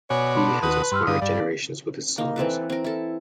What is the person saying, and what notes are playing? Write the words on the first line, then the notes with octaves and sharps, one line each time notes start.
He has inspired generations with his songs.
B2 F#4 C#5 D5 G#5
A5 B5 C6
D#2 F#4 B4 D#6
G2 C6 E6 F6
G2 D3 F5 D#6
G2 D5
A#3 D#4
E3 C4 A4 B4
C4 A#4
E4 A4